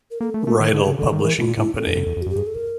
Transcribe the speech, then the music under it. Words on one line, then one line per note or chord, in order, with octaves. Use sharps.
Reidel Publishing Company.
A#4
A#3 A4
A3
A#4
A3
D#3 A4
D3
G#4
C#3
D3 A4
D#3
A#4
E3
B2 F4
A#2
A2 E4
A4
F2
F#2
E2
F2
F#4
F#2
G4
G2 G#4
A4
A#4